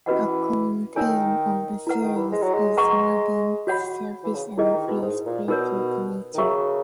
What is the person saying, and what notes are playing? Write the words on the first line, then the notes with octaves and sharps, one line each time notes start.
A common theme of the series is Martin's selfish and free-spirited nature.
E3 C#4 F#4 B4 D#5 F#5
D#3 D#4 A#4 C#5 G#5
E4 B4 F#5
D#3
E3
G#3
F#3
G#3
B4 F#5 A#5 C#6
F#4 C#5 F#5 B5
E3
C#3
D#3 E4 G#4 D#5
D#3
B2
G#2
A#2
B2 D#4 A#4 C#5
D#3
C#3 F#4 A#4 E5 A#5 C#6